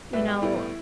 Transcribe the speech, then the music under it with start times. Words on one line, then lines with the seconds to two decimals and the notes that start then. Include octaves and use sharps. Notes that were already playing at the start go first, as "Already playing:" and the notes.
you know,
0.13 A2 G3 B3 B4 E5
0.28 G4
0.42 A2 G3 B3 E4